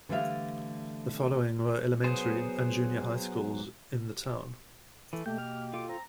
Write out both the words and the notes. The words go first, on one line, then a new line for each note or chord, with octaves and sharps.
The following were elementary and junior high schools in the town.
D3 E3 G3 A3 E5 F5
F#3 B3 G#4 C5
E3 A3
B2 A3 A#3 G4 G6
F6
F4 A4 F5 D6
C4 A#5